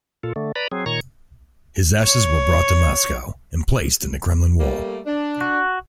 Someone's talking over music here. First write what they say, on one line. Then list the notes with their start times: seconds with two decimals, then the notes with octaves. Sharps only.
His ashes were brought to Moscow and placed in the Kremlin wall.
0.23 A#2 F4 A4
0.36 D3 A3
0.56 B4 D5 A#5 B5
0.72 F#3 C4 G#4
0.86 A#2 D#3 C#5 A#5 C#6
2.05 C#5
4.60 G3 A3 A#3
5.06 D4
5.41 F#4